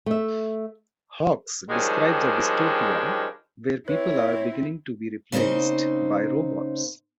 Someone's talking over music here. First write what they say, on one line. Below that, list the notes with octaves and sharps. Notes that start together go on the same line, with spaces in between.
Hawks describes a dystopia where people are beginning to be replaced by robots.
A3 E5
D#3 F3 G3 G#3 C#4 D4
C4 E4 B4 C#5
C#3 A#3 C4 D#4 C5